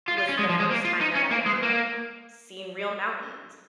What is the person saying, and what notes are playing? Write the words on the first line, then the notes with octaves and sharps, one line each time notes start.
was the first time that I'd ever, like, seen real mountains,
F4
F4
C#4
G#3
F3
G#3
A#3
F4
D#4
C#4
A#3
G#3
A#3